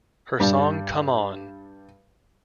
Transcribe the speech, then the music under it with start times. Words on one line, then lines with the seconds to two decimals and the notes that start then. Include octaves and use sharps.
Her song Come On!
0.40 G2 G3